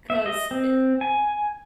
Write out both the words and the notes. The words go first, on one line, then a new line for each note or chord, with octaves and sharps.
'cause, eh,
E5
D#5
C4
G#5